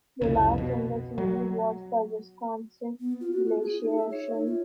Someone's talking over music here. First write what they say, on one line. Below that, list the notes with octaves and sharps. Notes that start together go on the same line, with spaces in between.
The last in the series was the Wisconsin glaciation.
C2 F2 C#3
B2
F#3
B3
F4
F#4
F4
G#4
D#4
E5
C#5
D#4
F4